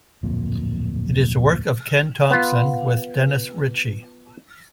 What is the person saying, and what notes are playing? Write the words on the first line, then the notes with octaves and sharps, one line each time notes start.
It is the work of Ken Thompson with Dennis Ritchie.
D1 F2 A#2
B3 F4